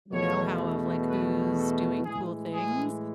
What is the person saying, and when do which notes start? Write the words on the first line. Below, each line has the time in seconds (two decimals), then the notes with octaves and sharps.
knowhow of, like, who's doing cool things,
0.12 E2 B2 A3 C#5
1.08 B4
1.57 A4
2.05 A2 E3 G#3 G#4
2.53 G#4